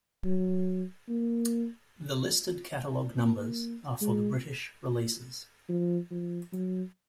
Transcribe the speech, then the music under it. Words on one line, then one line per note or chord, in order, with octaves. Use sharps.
The listed catalog numbers are for the British releases.
F#3
A#3
A#3
G#3
F3
F3
F#3